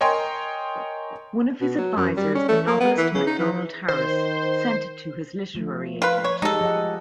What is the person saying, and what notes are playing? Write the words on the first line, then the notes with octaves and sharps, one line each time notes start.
One of his advisors, the novelist MacDonald Harris, sent it to his literary agent.
A#4 C#5 D#5 G5 G#5 C6
B2
F#3
F#2
G3
C#4
A3
A#3
B3
E3
C#3
D#4
E3
D#3 C5
F3 A3
F4 B4
C#5
G#3 D#4 G4 A4
F3 D#5 F#5